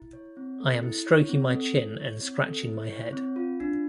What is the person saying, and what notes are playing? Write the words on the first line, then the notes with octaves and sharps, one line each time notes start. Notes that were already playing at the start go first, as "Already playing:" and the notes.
I am stroking my chin and scratching my head.
Already playing: E4
C#5
C4
A4
E4
C#5
C4
A4
E4
C#5
C4
A4
E4
C#5
C4
F4
D4